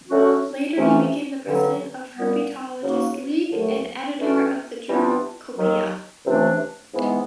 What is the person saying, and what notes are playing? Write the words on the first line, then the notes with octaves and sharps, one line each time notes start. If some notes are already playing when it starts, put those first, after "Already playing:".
Later he became president of Herpetologists' League and an editor of the journal "Copeia".
D3 F#3 A3 C#4 F#4
F2 C3 E3 A3 C#4
G2 D3 F#3
A#2 G3 B3
C#3 F#3 A#3 D#4 F#4
D#2 D3 F#3 A3
E3 A3 C#4 F#4
E3 G3 B3 D4 F4
D#2 D#3 F#3
C#2 C3 E3 A3 D4
G#2 E3 G#3 B3